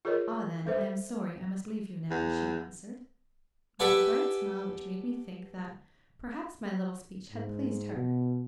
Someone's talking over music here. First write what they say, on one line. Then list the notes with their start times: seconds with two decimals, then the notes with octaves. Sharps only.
"Ah, then, I am sorry I must leave you now," she answered, with a bright smile which made me think that perhaps my little speech had pleased her.
0.05 F4 G#4 A#4 B4 C#5 D#5
0.66 G3 A4 B4 C5 E5
2.10 E2
3.80 G4 A4 B4 D5 F#5 G#5
7.32 G#2
7.93 B2